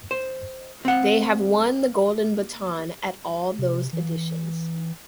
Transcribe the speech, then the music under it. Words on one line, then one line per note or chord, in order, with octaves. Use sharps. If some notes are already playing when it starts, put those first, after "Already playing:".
They have won the Golden Baton at all those editions.
C5
C4 F#5
C3
E3